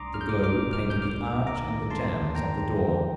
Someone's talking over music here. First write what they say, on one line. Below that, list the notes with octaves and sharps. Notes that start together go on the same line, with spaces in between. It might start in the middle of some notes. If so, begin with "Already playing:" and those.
The glow painted the arch and the jambs of the door.
Already playing: C2 A3 D4 A#5 C6 D6 D#6
C2 F6
G6
D6 F6
D4 D6 F6
C2 D6 F6
G6
D#2 D6 F6
A#3
A#5 D6
D#3
A#3 A5 C6
D#2
G5 A#5
D#3
D3